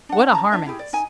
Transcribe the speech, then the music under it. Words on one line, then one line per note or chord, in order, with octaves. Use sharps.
What a harmonist!
D4 F#5
C#4 A5 A#5
D4 E5
E4 G4 G#4
D5
D#4 G#5